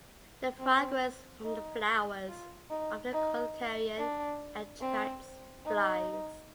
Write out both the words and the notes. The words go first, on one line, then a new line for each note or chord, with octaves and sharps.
The fragrance from the flowers, often called "carrion", attracts flies.
C4
D#4
F4
D#4
D#4
D4
C4
D#4